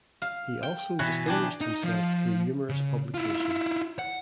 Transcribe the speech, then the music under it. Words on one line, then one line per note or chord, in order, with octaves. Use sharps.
He also distinguished himself through numerous publications.
F5
G5
B2 E3 B4 C#5
D4 G4 G#4
D#4
F3
C#3
E4 F4
F#5